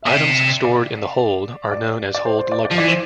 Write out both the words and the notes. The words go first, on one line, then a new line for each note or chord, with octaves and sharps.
Items stored in the hold are known as hold luggage.
B2 E5
C3 D5
D5
D5
D5
C5
C5
D5
D5
F3
E3 D5
C5